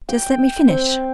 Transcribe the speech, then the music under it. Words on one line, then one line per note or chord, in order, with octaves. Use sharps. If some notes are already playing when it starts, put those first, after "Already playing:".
"Just let me finish."
G5
C4